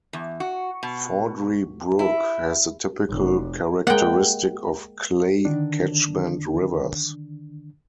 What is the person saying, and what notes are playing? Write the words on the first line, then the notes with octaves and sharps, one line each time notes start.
Foudry Brook has the typical characteristic of clay catchment rivers.
E2
F#4
B2
E4
F1
G#3 A#3 F#5 G5
D3 D#3 D4